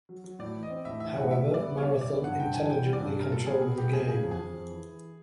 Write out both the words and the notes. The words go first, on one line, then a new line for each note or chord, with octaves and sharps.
However, Marathon intelligently controlled the game.
F#3
F#3
A2 D5
E3
D#5
C4
A2 E5
E3 E5
A2 F#5
A#2 E5
G3
D5
B3
G3 C#5
G3
D5
B3
G2 F#5
G2 G5
E3 G#5
E3 G5
G3
D5
G2
G3 A#4
A#2 A4
B3 G#4
B3 G#4
G3 G4
A#2 G#4
C#3 G#4
F2
G#4
F2
F2
E3
E3